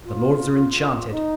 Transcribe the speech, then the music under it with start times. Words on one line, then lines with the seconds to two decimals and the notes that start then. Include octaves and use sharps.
The lords are enchanted.
0.05 F4
1.10 D#4